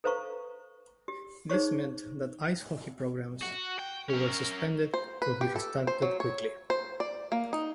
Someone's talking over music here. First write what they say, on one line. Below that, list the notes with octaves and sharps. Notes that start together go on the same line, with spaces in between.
This meant that the ice hockey programs who were suspended could be restarted quickly.
A4 B4 C5 F5 A#5 C#6
G4
D#4 G#4 C5 C#5 C#6
F#4
G5
C#4 A#4
C5
B4
G4
A4
C5
F#3
C#5
C5
D5
A#3
D#4